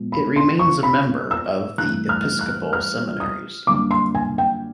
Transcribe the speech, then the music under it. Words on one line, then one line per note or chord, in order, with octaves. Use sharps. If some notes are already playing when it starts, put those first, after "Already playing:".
It remains a member of the Episcopal seminaries.
Already playing: A#2 F3 G#3 B3
B5
C6
C#6
B5
E6
G2 E3 A3 F#6
F6
F#6
F6
D#6
F#2 D3 G3 A#3 D6
C6
G#5
G5